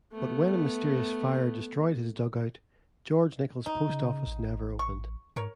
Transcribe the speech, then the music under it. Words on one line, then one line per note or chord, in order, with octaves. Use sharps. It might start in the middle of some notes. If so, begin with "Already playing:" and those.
But when a mysterious fire destroyed his dugout, George Nickel's post office never opened.
A3 B3
D#4
C#3
A1
C#6
G#2 A#4 C#5